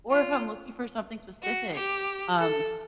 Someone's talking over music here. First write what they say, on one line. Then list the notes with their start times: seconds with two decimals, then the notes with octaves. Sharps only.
Or if I'm looking for something specific, um
0.11 F4
1.42 F#4
1.75 G4
2.40 A4